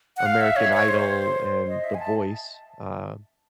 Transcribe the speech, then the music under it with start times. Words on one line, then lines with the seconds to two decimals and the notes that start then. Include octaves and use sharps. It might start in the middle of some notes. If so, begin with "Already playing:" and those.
American Idol and The Voice, uh,
0.17 F#5
0.26 F5
0.41 E5
0.56 C#5
0.73 C#5
0.88 C5
1.68 D#5
1.84 E5
1.94 G#5
2.00 A5